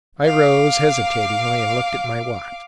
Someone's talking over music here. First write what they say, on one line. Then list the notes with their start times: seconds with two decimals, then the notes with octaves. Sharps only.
I rose hesitatingly and looked at my watch.
0.25 F5 D6